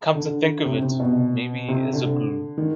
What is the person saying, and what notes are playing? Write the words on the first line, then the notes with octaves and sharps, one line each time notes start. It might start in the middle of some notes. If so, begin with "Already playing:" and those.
Come to think of it, maybe he is a guru.
D3
C3
C3
B2
C3
D3
D#3